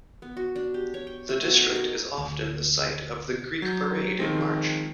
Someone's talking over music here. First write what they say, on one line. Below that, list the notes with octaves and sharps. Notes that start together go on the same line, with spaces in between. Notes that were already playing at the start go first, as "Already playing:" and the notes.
The district is often the site of the Greek parade in March.
B3
F#4
D4
G4
C#5
G5
A3
B2
D#4
A#4
D2
F#3 G6
D#3 F3 G#3 C4